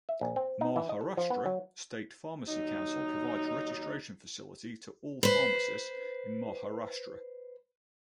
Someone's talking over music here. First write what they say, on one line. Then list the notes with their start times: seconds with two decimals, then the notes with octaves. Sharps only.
Maharashtra State Pharmacy Council provides registration facility to all pharmacists in Maharashtra.
0.09 E5
0.21 A#1
0.36 C4
0.61 D#4
0.76 E3
0.89 D#5
1.01 A4
1.17 F3
1.30 B3
1.46 F#3
2.48 D#2 F#3 D#4
5.23 B4 C5